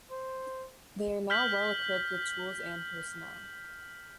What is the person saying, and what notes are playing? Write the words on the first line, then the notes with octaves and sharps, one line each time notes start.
They are now well equipped with tools and personnel.
C5
F6 G6 B6 F#7